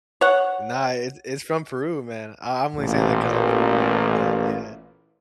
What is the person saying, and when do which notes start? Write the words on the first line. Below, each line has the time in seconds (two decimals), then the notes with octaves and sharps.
No, it's it's from Peru, man. I I'm only saying that 'cause I'm Peruvian, but yeah.
0.21 C#5 F#5
2.79 A1 A#2